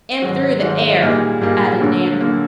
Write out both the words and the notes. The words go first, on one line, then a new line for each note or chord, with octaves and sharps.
"And through the air," added Nan.
G#2 D#3 F#3
G#2 D#3 F#3
A#2 G3 A#3 D#4 G#4
A#2 G3 A#3 D#4 G#4
D2 D3 F#3 A#3
D3 F#3 A#3